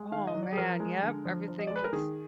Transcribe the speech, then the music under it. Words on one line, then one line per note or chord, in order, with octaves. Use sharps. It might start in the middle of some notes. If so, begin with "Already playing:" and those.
Oh man, yep, everything gets
Already playing: G#3
D#3 F5
D#5
F#3
D5
G#4
F3 A#4
G#3
D3
F3
F3
D#5
G#3 D5
B4
A#4
D#3 G#4